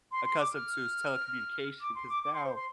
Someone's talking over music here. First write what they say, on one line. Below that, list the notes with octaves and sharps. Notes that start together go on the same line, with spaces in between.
accustomed to s telecommunication 'cause now
C6
C6
D6
F6
D6
C6
D6
D6
C6
C5
C6